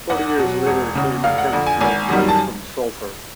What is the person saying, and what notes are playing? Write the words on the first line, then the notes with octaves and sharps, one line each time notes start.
Forty years later came attempts to make money from sulphur.
E2 F#5
B2 F#3
E1
E2 C#3
F1 F5
F#5
F2 D3
G#5
G#1 G#5
F#2 D#3 G3
A5